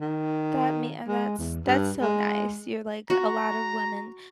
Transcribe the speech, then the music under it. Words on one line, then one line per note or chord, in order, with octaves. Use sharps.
That me uh, that's that's so nice, you're, like a lot of women
D#3
G#3
E2
G2
G#3
F#4 A#5